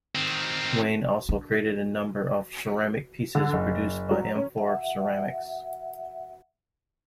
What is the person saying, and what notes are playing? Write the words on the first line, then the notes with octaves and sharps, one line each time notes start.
Wain also created a number of ceramic pieces produced by Amphora Ceramics.
D#3 C4
D4
D3
F#1
F#3
C#4
E5 F#5